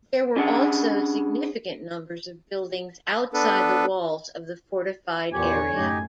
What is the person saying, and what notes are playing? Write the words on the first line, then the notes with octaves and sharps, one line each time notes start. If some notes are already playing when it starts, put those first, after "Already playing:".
There were also significant numbers of buildings outside the walls of the fortified area.
C#4 D4 G#4 F#5
B3 D4 A4 B4
E2 A#2 B3 G4 C#5 G#5
F#2 A2 D#4 G4 D#5